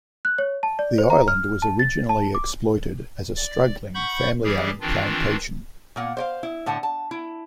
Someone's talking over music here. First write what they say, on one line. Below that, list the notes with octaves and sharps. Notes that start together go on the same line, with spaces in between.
The island was originally exploited as a struggling family-owned plantation.
F#6
C#5
A5
D5
C5
A#5
F6
A5
A6
A5
D6
D5
F#5 B5 C#6 G6
E3 G3 G4 G#4
D#3 E3 C4 D4 F4
A#2 A#3 F#5
C5 D5 F5
E4
A2 D3 F#5 A5
A5
E4